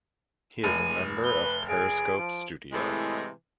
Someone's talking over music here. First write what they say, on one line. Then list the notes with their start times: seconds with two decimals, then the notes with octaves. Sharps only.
He is a member of Periscope Studio.
0.64 F1 G#3 D#7
1.24 B4 G7
1.69 G#4 D7
2.18 F3
2.73 A2 C3 E3 G#3